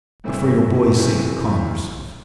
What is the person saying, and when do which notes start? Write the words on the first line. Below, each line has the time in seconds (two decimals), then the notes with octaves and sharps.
But for your boy's sake, calm yourself.
0.24 G2 E3 A3 C4 E4
0.95 F#1 F2 C3 E3 A3